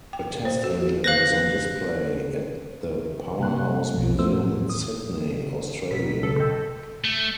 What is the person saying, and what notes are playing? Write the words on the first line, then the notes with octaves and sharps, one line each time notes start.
A test engine is on display at the Powerhouse Museum in Sydney, Australia.
G5
C5
F#4
B4 C5 F5 F#6 A#6
C3 G3 A#3 F#6
A3
B1 B2
F3 A3 B3 C5 E6
A2
D#6
B1 B6
A4
B2 D#5 G5
A3